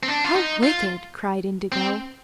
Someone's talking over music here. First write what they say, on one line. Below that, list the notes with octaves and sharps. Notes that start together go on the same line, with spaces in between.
"How wicked!" cried Indigo.
C4
D4
F4
D#4
F4
C4